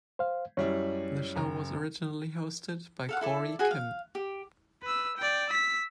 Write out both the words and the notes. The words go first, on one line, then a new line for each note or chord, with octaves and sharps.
The show was originally hosted by Cory Kimm.
C5 F5
F#2 G3 E4 C#5
F#1 A#5
A4 F5 F#5
E4 A4 D5
F#4 G#4 G#5
F5
G4
B4 E6
D5 G5
E6 B6